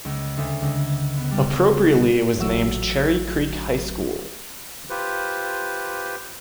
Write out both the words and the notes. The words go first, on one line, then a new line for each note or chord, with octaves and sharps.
Appropriately, it was named Cherry Creek High School.
C#2
D2
C#2
B3
G3
F#6
A1 F#3 A3 F#4 E6
F4 G4 B4 C5